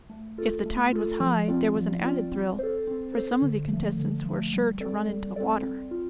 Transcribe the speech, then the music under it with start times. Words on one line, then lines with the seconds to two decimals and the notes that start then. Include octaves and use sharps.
If the tide was high there was an added thrill, for some of the contestants were sure to run into the water.
0.10 A3
0.38 F4 A4
0.65 A3
0.92 F4 A4
1.20 F3
1.48 C4 F4 D5
1.76 F3
2.03 C4 F4 D5
2.32 C4
2.59 A4 C5
2.87 C4
3.14 A4 C5
3.42 D3
3.70 F3 A3
3.98 D3
4.25 F3 A3
4.53 G3
4.80 C4 A4 D5
5.08 G3
5.36 C4 A4 D5
5.63 C4
5.91 F4